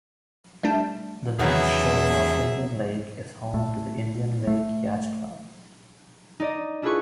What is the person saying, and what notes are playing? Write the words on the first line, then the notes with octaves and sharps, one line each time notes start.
The north shore of Indian Lake is home to the Indian Lake Yacht Club.
G3 A3 D4
E2 D#3 F#3 B3 C#4 G#4 E5
A2
A3
D#4 D5 D#5
D4 E4 F4 G#4 B4 C#6